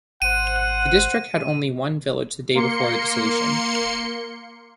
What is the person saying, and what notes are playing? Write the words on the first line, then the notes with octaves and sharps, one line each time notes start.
The district had only one village the day before the dissolution.
G#1 C5 F#5 D#7
A#3 C6 C#7